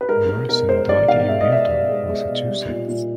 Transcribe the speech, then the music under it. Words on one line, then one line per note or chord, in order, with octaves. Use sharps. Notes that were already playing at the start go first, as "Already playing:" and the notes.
Emerson died in Milton, Massachusetts.
B4
G#3 A#4
G#3 A#4
B2 A#4
G#3 C5
G#3 D5
B2 F5
G#3 E5
D#5
B2 E5
B2
G#3
G#3
B2
G3
A#2
A#2